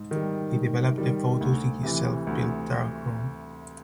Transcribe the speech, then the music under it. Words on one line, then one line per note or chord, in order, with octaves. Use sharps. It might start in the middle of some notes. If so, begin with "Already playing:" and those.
He developed the photos in his self built darkroom.
Already playing: G#2
D#3 G3
G#2
D#3 G3
D2
C3 E3
D2